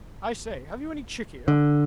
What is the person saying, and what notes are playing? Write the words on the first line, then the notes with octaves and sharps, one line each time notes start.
I say, have you any chikhir?
D3